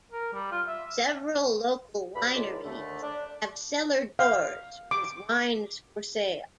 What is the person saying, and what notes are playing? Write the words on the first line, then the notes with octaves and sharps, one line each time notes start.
Several local wineries have 'cellar doors' with wines for sale.
A#4
G3
F4
E5
D2 G2 B5
C2 F#2 C#3 G#3 F4 D5
D#2 D3 A3
D4
F5
D6